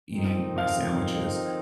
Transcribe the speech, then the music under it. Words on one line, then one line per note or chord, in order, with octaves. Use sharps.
eating my sandwiches?
F2 D#3 C4 D#4
F5